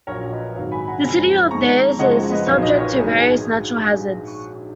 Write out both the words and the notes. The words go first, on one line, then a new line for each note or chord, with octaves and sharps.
The city of Thiers is subject to various natural hazards.
A#1 A#2 F#3 A#4 C#5
B4 D#5
G#1 G#2 F#3 C#5 F5
G#5 B5
F#5 A#5
F#1 F#2 F3 G#3 G#5 B5
F2 D#3 G#3 A#5 C#6
F#1 F#2 F3 G#3 D#5 F#5
B4 D#5
B1 A#2 F#3 C#5 F5
B4 D#5
A#4 C#5
A#1 G#2 D#3 F#3 G#4 B4